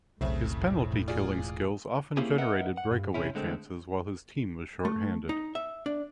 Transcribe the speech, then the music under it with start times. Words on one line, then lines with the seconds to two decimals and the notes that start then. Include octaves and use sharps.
His penalty-killing skills often generated breakaway chances while his team was shorthanded.
0.21 E1 B1 A2 C#3 A3 C4
1.08 F4 G#4 D5
2.17 A#3 C4 C#4 E4 G4 G#4
2.38 A#4 B4 D#5 E5 F#5
2.77 F#5
2.91 G2
3.14 B1 C3 C#4 E4
3.35 D3 G#3 A3 C4
4.85 A3
5.29 D#4
5.55 E5
5.86 D4